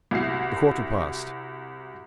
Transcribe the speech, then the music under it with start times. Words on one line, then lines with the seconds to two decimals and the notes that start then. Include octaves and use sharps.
A quarter past.
0.11 C2 E4 F#4 C7